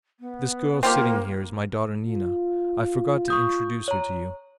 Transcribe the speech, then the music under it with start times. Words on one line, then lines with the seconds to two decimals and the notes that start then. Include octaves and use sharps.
This girl sitting here is my daughter Nina; I forgot to introduce her to you.
0.20 B3
0.83 A#3 C4 F4 G4
2.07 F4
3.28 C#6 D#6 G6
3.88 C#5 A#5